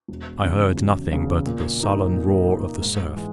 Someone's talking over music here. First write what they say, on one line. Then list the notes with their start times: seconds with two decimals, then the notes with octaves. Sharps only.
I heard nothing but the sullen roar of the surf.
0.08 E1
0.42 E2 C#3
0.77 E1
1.11 E2 C#3
1.46 A#2
1.80 A#3 D#4
2.13 A#2
2.47 A#3 D#4
2.82 G#2
3.16 E3 G#3